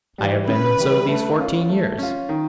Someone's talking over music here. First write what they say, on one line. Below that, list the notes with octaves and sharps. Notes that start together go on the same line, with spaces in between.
"I have been so these fourteen years."
E3 G3
C#3 B4
E3 G3
A3
C#4 F4
A3
C#4 F4
D#3